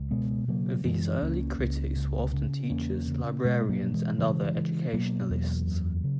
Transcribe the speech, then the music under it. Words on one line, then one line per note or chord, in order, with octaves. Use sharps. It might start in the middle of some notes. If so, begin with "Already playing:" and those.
These early critics were often teachers, librarians and other educationalists.
Already playing: C#2
B2 G#3 B3
C#3 F#3 A#3
F#2 E3 G#3
C#2 A#3 C#4
C#2
C#3
C#3
E2 A#3 C#4
C#3
B2 G#3 B3
F#3 A#3
B2
E3 G#3
C#3 E3 G#3
C#3
B2 F#3 A#3
E2
F#2
C#3